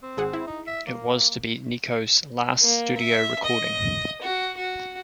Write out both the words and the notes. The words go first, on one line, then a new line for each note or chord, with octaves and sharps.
It was to be Nico's last studio recording.
C4
G#1 G#4 F#5
E4
D#4
E5
A#3
A#3
E5
D#5
F#4
F#4